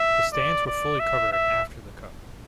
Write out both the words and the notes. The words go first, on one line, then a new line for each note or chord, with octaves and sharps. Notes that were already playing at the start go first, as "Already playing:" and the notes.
The stands were fully covered after the cup.
Already playing: E5
D5
D5
E5
E5